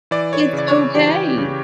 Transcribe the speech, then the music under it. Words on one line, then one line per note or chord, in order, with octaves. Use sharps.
it's okay,
E3 D5
C#5
D5
C#3
D5
C#5
E3 G4
C#3